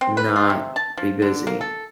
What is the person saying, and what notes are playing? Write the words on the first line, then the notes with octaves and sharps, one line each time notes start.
not be busy,
C4
B4
F4
C3
A5
F3
D3
A#3
A4